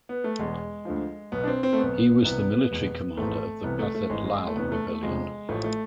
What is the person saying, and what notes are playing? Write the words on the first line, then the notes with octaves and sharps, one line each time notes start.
He was the military commander of the Pathet Lao rebellion.
B3
A3
E1 E2 B2 G#3
D2 D3 F3
B1 B2 B3
D4
C4
C4
A3
B1 B2 B3
C2 C3 E3 B3
F1 E2 B2
G#1 G#2 E3 A3
C2 C3 E3 B3
A3
A3
G#1 G#2 E3 G#3
G#3
G#3
A3
E1 D2 C3 E3 B3
A3
A3
E1 D2 C3 F3 G#3
A1 A2 F3 A3
A3